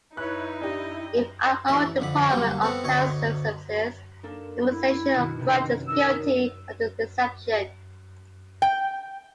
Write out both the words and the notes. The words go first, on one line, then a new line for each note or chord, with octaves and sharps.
Even our own Department of Health Services, Immunization Branch is guilty of this deception.
D#4 E4 B4 C#5 F#6
D4 G4 D#5
A1 E5
F2 D3 B5
D3 F#3 G3 A#3
B3 C4 A4 F#5
D2 C#5 D#5
A#3 D4 A4
E4
B2 D#3 F#4
C3 B3 C#4
D4 D#4 A#4 E6
G5